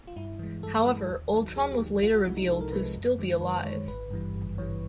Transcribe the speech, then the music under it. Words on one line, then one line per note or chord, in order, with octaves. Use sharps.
However, Ultron was later revealed to still be alive.
F4
G2 E4
E3 G#3
G2 A4
E3 G#3
D#2
D#3 F#3
D#2 G#4
G4
D#3 F#3
C2 F4
F#4
C3 F3 G#3 E4
D#4
C2 A4
A#4
C3 F3 G#3 B4
F#2
D#3 G#3
F#2 B4
C5
D#3 G#3 C#5
G#1 B4
G2 E3 G3
G#1
G2 E3 G3 C#5